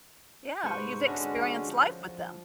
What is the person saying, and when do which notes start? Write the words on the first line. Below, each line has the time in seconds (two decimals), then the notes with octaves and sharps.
Yeah, you've experienced life with them.
0.64 G#2 C3 B4 C5 C#6
1.07 D3 G#3 C#4 D4 F#4
1.68 F3